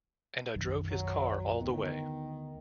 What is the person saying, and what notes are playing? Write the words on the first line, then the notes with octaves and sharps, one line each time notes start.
And I drove his car all the way.
B1 F#2 D#3
F#3
D2 D#3 B3